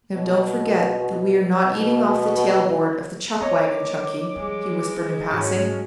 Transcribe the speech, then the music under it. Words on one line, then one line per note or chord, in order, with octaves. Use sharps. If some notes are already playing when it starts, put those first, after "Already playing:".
"Now, don't forget that we are not eating off the tail board of the chuck wagon, Chunky," he whispered in passing.
B2
B2
B3 C#5 D#5 A#5 D6
F3 G3 G#3
G#2 C#4 F#4 A5